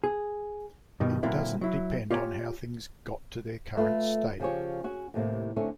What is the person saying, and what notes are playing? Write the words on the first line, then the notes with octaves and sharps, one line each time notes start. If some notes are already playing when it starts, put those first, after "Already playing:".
It doesn't depend on how things got to their current state.
G#4
G2 B2 D#3
A#2 D3 F#3 A#3 C4 E4
F#3 E4
F4 G4 C#5 D5 G#5 A#5
A3 F4 B4
C#3 F3 C#4 G4 C#5
C#4 F#4 G#4
D#2 A2 C3 A#3
D3 A3 C4 C#4